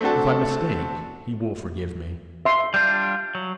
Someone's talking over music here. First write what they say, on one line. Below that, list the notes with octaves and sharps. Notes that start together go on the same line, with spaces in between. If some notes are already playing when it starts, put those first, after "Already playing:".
If I mistake, he will forgive me.
A3 C4 D4 F#4 A4
E5 C6
G3 D4 F4 G6
F#3